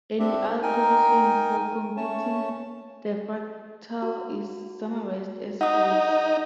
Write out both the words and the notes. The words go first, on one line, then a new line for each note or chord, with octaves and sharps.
An algorithm, for computing the fractal is summarized as follows.
C4 D4 G4 E5
D#4 A#4 G5 G#5
A3 C#4 C#5 A5
F#4
D#4 F#5 D#6